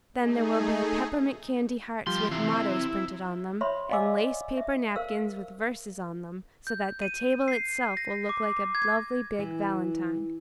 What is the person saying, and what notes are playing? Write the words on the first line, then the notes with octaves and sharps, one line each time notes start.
Then there will be peppermint candy hearts with mottoes printed on them, and lace-paper napkins with verses on them, so that the table itself will look like a lovely big valentine.
A3 D#4 G#4
B1 F3 G3 C6
C3 E3 C6
E4
C5 C#5 E5 B5 C6
D5 D#5 F5 G#5 D6 E6
E5
A#4 C5 F5 E6
G6
D#7
C7
A#6
D6
G#6
E3